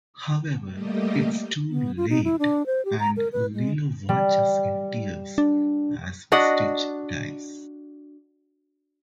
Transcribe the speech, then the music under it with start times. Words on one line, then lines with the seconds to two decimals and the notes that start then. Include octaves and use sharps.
However, it's too late and Lilo watches in tears as Stitch dies.
0.69 G3 A3 A#3 G4 D#5
1.70 B3
1.97 F4
2.10 D#4
2.24 E4
2.39 D4
2.66 C5
2.85 G4
3.00 A#5
3.17 A#4
3.33 B4
3.54 G#3
4.09 G3
5.38 D4
6.32 D4 F#4 D#5 F#5